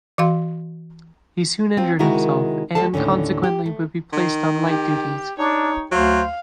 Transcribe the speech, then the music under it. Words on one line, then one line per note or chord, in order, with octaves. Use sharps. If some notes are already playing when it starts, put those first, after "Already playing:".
He soon injured himself and consequently would be placed on light duties.
E3 F#4 F5 C6
C4 F4
C3 D#3 G#3 E4 F#4 A#4
D2 F3 G3 A4 A5
D#2 A2 D3 C#4
G4
A3
D#3
G4
D4 D#4 C#5
D2 F#3 C5 F5